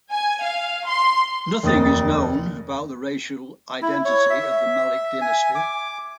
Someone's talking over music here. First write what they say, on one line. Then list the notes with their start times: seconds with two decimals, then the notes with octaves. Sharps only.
Nothing is known about the racial identity of the Malik dynasty.
0.12 G#5
0.42 F5
0.85 C6
1.63 F1 D#2 D#6 A6
3.82 E4
4.05 C#5
4.30 E5
5.21 G#5
5.55 D6